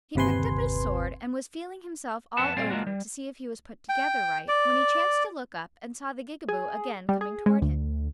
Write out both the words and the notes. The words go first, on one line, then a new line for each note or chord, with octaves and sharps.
He picked up his sword, and was feeling himself all over to see if he was put together right, when he chanced to look up and saw the Gigaboo again coming toward him.
G1 D#2 C3 B4 G#5 C6
F2 B3 B4 F#5 A5
A#2 G3 C4 G#4 D5 F5
G#3 A#3 D4 F4 F#4
G3
G5
D5
G#4
G3
G#4
G#3
D2